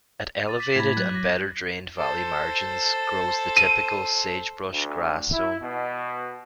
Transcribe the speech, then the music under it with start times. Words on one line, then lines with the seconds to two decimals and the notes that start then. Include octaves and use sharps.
At elevated and better-drained valley margins grows the typical sagebrush-grass zone.
0.47 D6 A6 D#7
0.60 B6 F#7
0.76 A2 B5 G#6
0.97 F#3 F#6
1.14 D6 A#6
1.98 A4 C5
3.57 D#7
4.71 D2
5.31 E4
5.60 B2